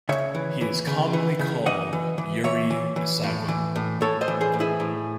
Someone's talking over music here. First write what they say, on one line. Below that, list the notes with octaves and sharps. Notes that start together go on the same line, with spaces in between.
He is commonly called Yuri Isageum.
C#3 C#5 E5
E3
E3
C#3
E3
C#3
E3 D#5 F#5
E3
E3
E3 C#5 E5
E3
E3
A2
E3
A2
A2 A4 C#5
C5 D#5
E3
G#4 C5
A2
E4 G#4
A2